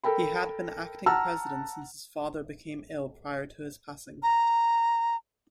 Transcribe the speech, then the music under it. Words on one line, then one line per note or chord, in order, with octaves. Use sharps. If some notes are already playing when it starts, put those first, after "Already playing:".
He had been acting president since his father became ill prior to his passing.
A4 A#4 G5 B5
F#5 A5 A#5 E6 F6
A#5